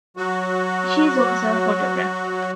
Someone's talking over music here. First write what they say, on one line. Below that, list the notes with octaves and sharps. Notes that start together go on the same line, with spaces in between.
She is also a photographer.
F#3 F#4